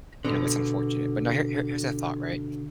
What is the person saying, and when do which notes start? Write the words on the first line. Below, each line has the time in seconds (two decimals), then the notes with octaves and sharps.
you know, that's unfortunate. But now here here here's a thought, right,
0.25 B2 D3